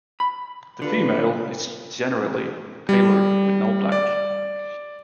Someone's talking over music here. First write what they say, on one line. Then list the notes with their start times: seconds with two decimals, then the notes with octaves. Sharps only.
The female is generally paler, with no black.
0.20 B5
0.82 D3 F4 B4
2.89 G3
3.92 D5